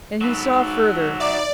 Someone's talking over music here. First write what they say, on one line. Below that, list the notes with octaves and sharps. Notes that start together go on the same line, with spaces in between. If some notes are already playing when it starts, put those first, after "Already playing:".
And he saw further.
G#2 F#3 A4 B4
D#4 D5 E5 D6